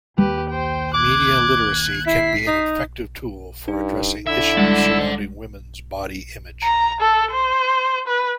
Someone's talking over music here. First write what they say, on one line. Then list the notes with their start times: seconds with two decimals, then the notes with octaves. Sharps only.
Media literacy can be an effective tool for addressing issues surrounding women's body image.
0.18 D#2 G4 B4
0.50 C5 G5
0.94 D6 F#6 G#6
2.07 E4 B6 C7
2.47 D#4
3.68 G2 D#4
4.27 D3 E4 E5 E6
4.57 G3 G#3 D5 F#5
6.63 A#5
7.01 A4
7.31 C5
8.08 B4